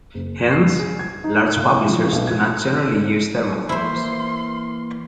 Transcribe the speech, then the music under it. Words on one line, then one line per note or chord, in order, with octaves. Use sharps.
Hence large publishers do not generally use thermoforms.
F#1
C7
G#4
G#6
D#4
A#2
E4
F3
B1
G#6
E3 A#3 E4 C5 C6